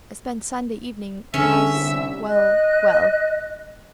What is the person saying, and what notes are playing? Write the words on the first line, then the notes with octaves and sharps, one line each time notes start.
"I spend Sunday evening as--Well, well."
D3 B3 C#4 D4 G#4 A4 E5
C2
D#5 F#6